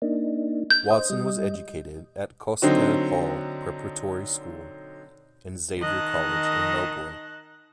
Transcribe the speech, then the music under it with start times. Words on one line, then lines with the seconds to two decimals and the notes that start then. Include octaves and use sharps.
Watson was educated at Kostka Hall preparatory school and Xavier College in Melbourne.
0.02 A#3 D4 D#4
0.70 G6
0.91 C5 D#5
1.10 G3 D#5
2.62 D3 F#3 C4 D#4
5.79 D#3 D#5 A5 F#6